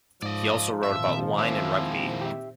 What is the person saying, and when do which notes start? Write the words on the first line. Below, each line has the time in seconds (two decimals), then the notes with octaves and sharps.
He also wrote about wine and rugby.
0.23 G#2 F3 D5 D#5
0.83 A#2 D#3 C4 E5
1.38 G#3 E4 C5 D6
2.21 G4 E5